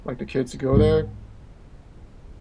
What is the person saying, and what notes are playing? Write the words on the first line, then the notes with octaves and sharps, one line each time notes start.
like, the kids to go there,
B1 G#2